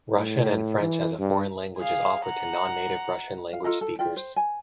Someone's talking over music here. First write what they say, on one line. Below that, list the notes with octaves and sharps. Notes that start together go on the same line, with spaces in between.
Russian and French as a foreign language is offered to non-native Russian language speakers.
A2
E3
G2
G#4 F5
F#5 A#5
F5
F4 A4 D#5 A#5
A4
F4 D5 G5
C5
G#5